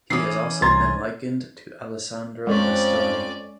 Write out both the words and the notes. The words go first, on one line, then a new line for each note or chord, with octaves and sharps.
He has also been likened to Alessandro Bastoni.
E3 C#4 D6 D#6 C7
C2 A#5 C6 G#6 A6
F2 G#3 C#4 D5 C#6